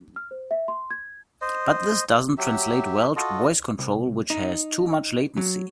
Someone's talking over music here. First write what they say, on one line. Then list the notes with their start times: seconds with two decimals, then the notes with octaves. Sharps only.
But this doesn't translate well to voice control, which has too much latency.
0.16 F6
0.31 C5
0.51 E5
0.68 C6
0.91 G#6
1.42 C5 D#5
2.38 F#3 G4 E5
3.16 F4 F#4 A4 D#5
3.79 C2
4.30 D#4
5.37 F#3